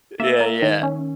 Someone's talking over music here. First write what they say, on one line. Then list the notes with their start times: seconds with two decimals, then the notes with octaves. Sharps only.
yeah, yeah,
0.20 A#3 E5
0.41 A#3
0.62 D#3
0.83 C#4